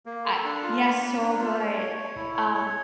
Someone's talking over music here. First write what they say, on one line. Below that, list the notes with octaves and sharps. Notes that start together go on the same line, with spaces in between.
I yes, so good. Um
A#3
A4
D4
F4
A#3
A#3
D4
F4
C#5
C#5
C#5
E4
C#5
C#5